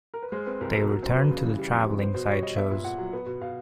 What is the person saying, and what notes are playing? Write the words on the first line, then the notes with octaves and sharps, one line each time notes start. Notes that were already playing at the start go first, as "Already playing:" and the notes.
They returned to the travelling sideshows.
A#4
B4
G#3 C5
C4 B4
C2 A#4
B2 A4
F#3 A#4
F#2 C5
F#2 B4
C#3
E3
G3
F2
C3
B3 C5
B2 C5
B2 C#5
G3 D#5
B3 E5
A#2
A#2 F#5
F#3
B3
B2
B2 F5